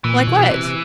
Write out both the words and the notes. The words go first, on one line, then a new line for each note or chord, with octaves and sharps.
"Like what?"
A#2 E3
B2
C3